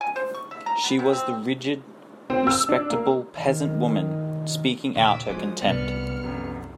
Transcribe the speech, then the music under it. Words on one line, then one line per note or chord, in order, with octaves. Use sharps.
She was the rigid, respectable peasant woman, speaking out her contempt.
G#5
C5
C#6
E5
A#5
B3
C3
C4
C4
E6
D4
A#3
D#3
D#2 A#2 C#3 D6 E6 B6 E7
F3 F#3 G#3 D4 E4 D#6
C2 C3 G3 B3 D4 F6 A6 C#7
F1 F#2